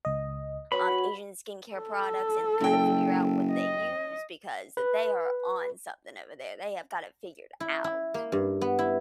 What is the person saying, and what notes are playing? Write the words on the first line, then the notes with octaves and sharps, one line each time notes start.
um, Asian skincare products and kind of figure out what they use, because they are on something over there, they have got it figured out.
C#2 D#5
F#3 C#4 F#4 B4 B5
A4
F#1 F#2 G5
D#5
B4
E4
E4
A#3
G2
B3
E4